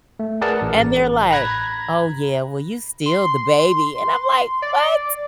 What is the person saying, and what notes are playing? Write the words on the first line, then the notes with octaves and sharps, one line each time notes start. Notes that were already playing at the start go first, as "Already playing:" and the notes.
And they're like, "Oh yeah, well, you still the baby,” and I'm, like, "What?
A3
G#4 A#4 B4 D5 F#5 A5
A1
A#5 B5 F#6 G#6 A#6
C6
C6
D5